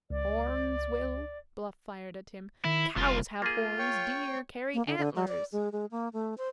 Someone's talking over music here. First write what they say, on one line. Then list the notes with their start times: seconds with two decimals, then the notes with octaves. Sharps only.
"Horns, Will?" Bluff fired at him; "cows have horns, deer carry antlers!"
0.10 C#2 D5
2.65 D#3 E4
2.96 F1 C2 F4
3.42 A#3 F4 G#4
3.79 C#5 G5 C#6
4.74 A#3
4.87 D3
4.98 D3
5.16 F#3
5.28 D5
5.52 G#3
5.72 G#3
5.91 A#3
6.13 A3
6.38 C5